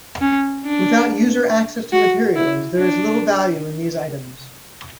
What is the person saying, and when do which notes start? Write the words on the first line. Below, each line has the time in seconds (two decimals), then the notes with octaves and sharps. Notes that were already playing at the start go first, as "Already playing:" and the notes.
Without user access to materials, there is little value in these items.
0.22 C#4
0.65 D4
1.93 F#4
2.36 E4
2.79 D4